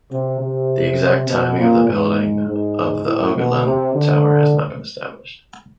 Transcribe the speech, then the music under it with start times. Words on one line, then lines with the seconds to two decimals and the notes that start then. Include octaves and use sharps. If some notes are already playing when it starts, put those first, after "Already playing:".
The exact timing of the building of the Ogulin tower has not been established.
0.11 C3
0.40 C3
1.28 B2
1.58 A#2
1.88 G#2
2.47 G#2
3.06 A2
3.35 B2
3.65 C3
3.95 D3